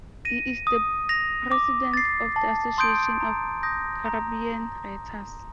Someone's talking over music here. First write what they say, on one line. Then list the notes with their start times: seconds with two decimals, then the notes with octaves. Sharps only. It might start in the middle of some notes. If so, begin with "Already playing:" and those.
He is the president of the Association of Caribbean Writers.
0.25 A#6 D#7
0.67 D#6
1.09 A#6 F7
1.51 D6
1.94 A6 C7
2.36 A5
2.78 C6 D#6 G6 D7
3.20 A#5
3.63 D#6 G6 A#6
4.06 A#5